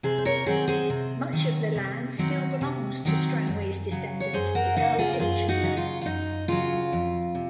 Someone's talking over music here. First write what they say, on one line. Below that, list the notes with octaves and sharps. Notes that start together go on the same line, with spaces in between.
Much of the land still belongs to Strangways' descendant, the Earl of Ilchester.
C3 G#4 C5
C5
A#4 C#5
D#3 F#3 C4 G#4 C5
G#4 C5
C3
D#3 F#3 C4
C3
D#3 F#3 C4
C3
D#3 F#3 C4
F#2
C#3 F#3
C#5
F#2 G#4 C5
F#4 A#4
C#3 F#3 D#4 F#4
F4 G#4
A#4
F#2 F4 G#4
D#4 F#4
C#3 F#3
F4
F4
F#2 D#4
C#3 F#3 F4
F2
C3